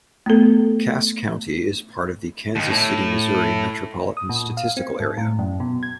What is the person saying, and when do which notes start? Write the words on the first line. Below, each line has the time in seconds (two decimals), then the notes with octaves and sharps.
Cass County is part of the Kansas City, Missouri Metropolitan Statistical Area.
0.26 A3 B3 A4
2.56 D#2 D#3
2.69 A2
4.17 D#6
4.29 A#2
4.57 F5
4.77 C4
5.00 G#2
5.17 A2
5.39 F#2
5.60 B2
5.83 G#6